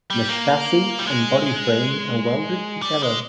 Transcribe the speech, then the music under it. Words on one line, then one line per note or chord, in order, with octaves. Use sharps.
The chassis and body frame are welded together.
G3
A#3
G3
G#3
G3
G#3